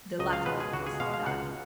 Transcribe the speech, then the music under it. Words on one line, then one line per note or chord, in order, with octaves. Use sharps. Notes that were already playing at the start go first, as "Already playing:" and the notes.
The Latvian must die.
C#2 D#5
F5
B2 G#3 B4
G#4
C#2 F#4
G#4
B2 G#3 F5
F5
C#2 F#5